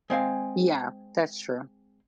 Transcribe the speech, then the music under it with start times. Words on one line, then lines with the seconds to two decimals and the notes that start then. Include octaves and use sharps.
Yeah, that's true.
0.10 G#3 C4 F5 G#5